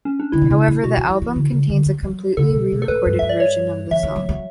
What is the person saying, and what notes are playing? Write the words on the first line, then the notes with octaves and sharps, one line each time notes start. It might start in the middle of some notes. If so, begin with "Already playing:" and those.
However, the album contains a completely re-recorded version of the song.
C#4
D4
D3 E4
B2
C#3
A2
B2 F#4
E3
F#3
E3
D3
C#3
D3
F#3
F#3
C#3 A4
C#3
B2
B2
A4
A2 B4
G2
G2 E5
D5
C#5
E3 E5
E3
F#3
F#3